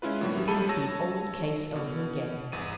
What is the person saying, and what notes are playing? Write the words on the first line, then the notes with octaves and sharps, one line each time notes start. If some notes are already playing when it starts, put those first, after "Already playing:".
It is the old case over again.
G#3 C#4 E4 F4 B4
A2 D3 F#3 G3 A#3 E4
B1 F#3 A4 B5 D#7
C#5 A5 E6 A#6
B2
G1 E2 D#7